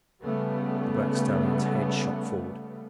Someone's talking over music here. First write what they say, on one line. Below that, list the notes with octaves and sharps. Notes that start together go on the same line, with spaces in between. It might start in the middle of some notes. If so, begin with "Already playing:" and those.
The black stallion's head shot forward.
C#3 G3 A3 B3